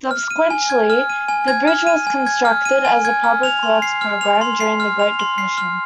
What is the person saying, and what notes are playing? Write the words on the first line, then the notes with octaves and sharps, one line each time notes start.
Subsequently the bridge was constructed as a public works program during the Great Depression.
F6
D#7
G#5
G#6
F6
D#7
G#5
G#6
F6
D#7
G#5
G#6
F6
D#7
G#5
G#6
F6
F7
C6
C7
F6
F7
C6
C7
F6
F7
C6
C7
F6